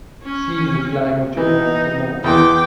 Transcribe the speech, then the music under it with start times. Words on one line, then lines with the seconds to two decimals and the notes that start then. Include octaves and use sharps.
See the flag of Japan for more.
0.23 C#4
1.37 E3 D#4
2.24 E2 E3 G5 C6 D6